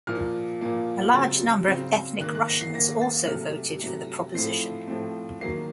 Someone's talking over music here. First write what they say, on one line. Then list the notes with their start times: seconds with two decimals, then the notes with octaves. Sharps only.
A large number of ethnic Russians also voted for the proposition.
0.07 A#2 F3 A#3 F6
0.61 A#2 F3 A#3
1.14 C#3 F#3 C4 A6
1.68 C#3 F#3 C4
2.20 D#3 A#3 F#6
2.35 F#6
2.48 A#6
2.61 C7
2.74 D#3 A#3 A#6
3.02 A6
3.27 C3 F#3 A3 F6
3.81 C3 F#3 A3
4.34 A2 F3 A3 C4 C7
4.88 A2 F3 A3 C4
5.41 D#3 F#3 A#3 C7